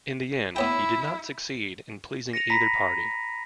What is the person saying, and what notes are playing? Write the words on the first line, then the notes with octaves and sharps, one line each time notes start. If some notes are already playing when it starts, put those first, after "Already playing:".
In the end, he did not succeed in pleasing either party.
B3 E4 C#5 G5
A#6 C#7 D#7 F7
A#5 B5 A#6 B6